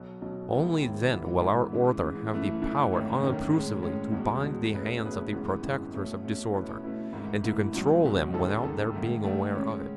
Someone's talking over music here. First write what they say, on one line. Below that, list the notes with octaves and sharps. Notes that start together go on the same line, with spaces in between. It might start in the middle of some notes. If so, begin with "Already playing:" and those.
Only then will our order have the power unobtrusively to bind the hands of the protectors of disorder and to control them without their being aware of it.
Already playing: B1 B2 F#3
B1 B2 F#3
D#2 D#3 G#3 B3 E4
D#2 D#3 G#3 B3 E4
A1 G#2 E3 B3 E4
A1 G#2 E3 B3 E4
C#3 E3 G#3
C#3 E3 G#3
F#2 E3 A3 E4
F#2 E3 A3 E4
G#1 F#2 D#3 A3 C#4
G#1 F#2 D#3 A3 C#4
A2 G#3 C#4
A2 G#3 C#4
E2 B2 G#3
E2 B2 G#3
B2 A3 C#4 G#4 B4
B2 A3 C#4 G#4 B4
G#1 F#2 E3 G#3 B3
G#1 F#2 E3 G#3 B3
B2 A3 C#4
B2 A3 C#4
B2 A3 C#4 E4 B4
B2 A3 C#4 E4 B4
G#1 G#2 E3 A3 E4
G#1 G#2 E3 A3 E4
C#2 B2 F#3
C#2 B2 F#3
D#2 C#3 G#3 D#4 A4
D#2 C#3 G#3 D#4 A4
G#2 D#3 A3
G#2 D#3 A3
C#3 G#3 C#4